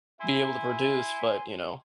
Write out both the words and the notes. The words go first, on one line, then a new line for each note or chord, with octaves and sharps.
be able to produce, but, you know,
E4 G#5 C6